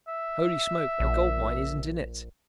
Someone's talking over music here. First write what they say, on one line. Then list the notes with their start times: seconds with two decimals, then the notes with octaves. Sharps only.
Holy smoke, a gold mine isn't in it!
0.08 E5
1.00 A#1